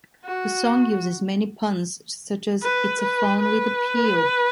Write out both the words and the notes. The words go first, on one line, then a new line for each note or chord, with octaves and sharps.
The song uses many puns such as It's a phone with appeal!
F#4
B4
B4
B4